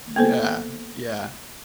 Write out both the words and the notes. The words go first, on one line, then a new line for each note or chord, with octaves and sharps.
Yeah, yeah.
A#3 B3 A4 C5